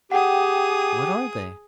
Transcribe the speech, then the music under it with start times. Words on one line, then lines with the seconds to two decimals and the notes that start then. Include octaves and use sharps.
What are they?
0.12 G4 G#4 F#5 G5 D#6